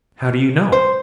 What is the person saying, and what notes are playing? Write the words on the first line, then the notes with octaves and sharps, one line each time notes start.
"How do you know?"
C5